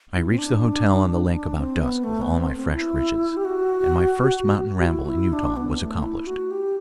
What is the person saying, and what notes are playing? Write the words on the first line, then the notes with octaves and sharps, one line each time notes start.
I reached the hotel on the lake about dusk with all my fresh riches, and my first mountain ramble in Utah was accomplished.
E4
C4
D4
D4
C4
B3
A3
B3
C4
C4
E4
G4
F#4
F#4
E4
F#4
E4
D4
B3
A3
E4
F#4
G4